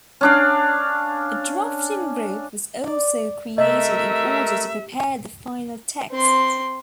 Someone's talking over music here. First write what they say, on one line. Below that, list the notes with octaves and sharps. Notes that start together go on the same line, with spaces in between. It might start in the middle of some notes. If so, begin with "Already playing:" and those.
A Drafting Group was also created in order to prepare the final texts.
C#4 D4 F5
D5
C3 A3 A#4 D#5 E5
C4 C6